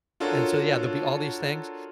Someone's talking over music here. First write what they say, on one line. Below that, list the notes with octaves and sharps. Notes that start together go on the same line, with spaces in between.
And so yeah, there'll be all these things,
D4 F4 F#4 A4 A#4 C#5